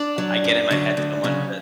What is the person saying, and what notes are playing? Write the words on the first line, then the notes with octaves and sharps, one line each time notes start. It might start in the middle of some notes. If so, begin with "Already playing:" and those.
I get in my head so much that
Already playing: D4 D5
F#3
F#2
D3 F#3
D2
C#3 F#3